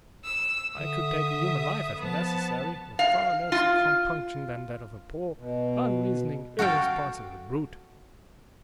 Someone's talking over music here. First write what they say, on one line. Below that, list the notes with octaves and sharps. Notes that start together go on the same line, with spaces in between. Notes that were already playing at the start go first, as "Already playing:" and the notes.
I could take a human life, if necessary, with far less compunction than that of a poor, unreasoning, irresponsible brute.
E6
D3 E5 D#6
F3 B3 A5
F5
F4
B2
F#4 A4 F5 G5